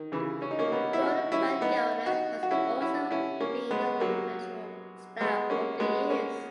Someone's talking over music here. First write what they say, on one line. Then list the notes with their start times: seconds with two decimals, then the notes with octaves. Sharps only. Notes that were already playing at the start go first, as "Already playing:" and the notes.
Gordon Van Gelder has also been on the editorial staff over the years.
Already playing: D#3
0.12 C#3 E3
0.42 C#4
0.51 D#4
0.59 A#3 C#4
0.72 B3 D#4
0.93 E4
1.01 D#4 F#4
1.32 C#4 E4
1.61 B3 D#4
2.06 D#4 F#4
2.43 F#4
2.51 C#4 E4
2.81 C#4 E4
3.11 C#4 E4
3.40 A#3 C#4
3.71 G#3 B3
4.00 F#3 A#3
5.21 G#3 B3
5.50 A#3 C#4
5.80 G#3 B3
6.10 A#3 C#4